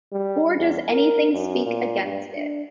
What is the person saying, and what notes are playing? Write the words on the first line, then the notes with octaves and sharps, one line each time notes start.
Or does anything speak against it?
G3
E2
A#4
F#2
A#2
G2
D4